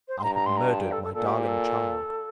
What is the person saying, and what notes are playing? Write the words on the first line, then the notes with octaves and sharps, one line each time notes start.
I have murdered my darling child!'
C5
C6
G2 A#5
A#5
C6
A#5
A5
G5
A4
A4
A#2 A4
G4
G4
A4